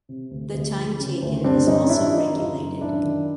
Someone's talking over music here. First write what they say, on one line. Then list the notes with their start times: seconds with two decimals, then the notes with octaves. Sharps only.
The time taken is also regulated.
0.09 C3
0.31 D2
0.54 D2
0.77 F3
0.99 C#3
1.22 D2
1.44 G2 C4 D4
1.67 G2 C#4 D#4
1.90 D#3 D4 E4
2.13 D#3 D#4 F4
2.36 F#2 D#4 F4
2.58 F#2
2.81 D#3 D4 E4
3.04 D#3